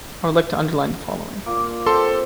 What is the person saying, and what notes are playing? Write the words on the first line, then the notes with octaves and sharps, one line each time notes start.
I would like to underline the following.
A#2 A#3 D6
C4 G4 A4 C6